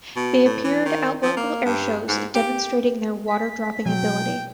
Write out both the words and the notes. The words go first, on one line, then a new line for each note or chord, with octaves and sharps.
They appeared at local airshows, demonstrating their water-dropping ability.
B2
A2
E3
D#3
F3
A#3
G2
G#2
G4
B6
B2 F#3 G5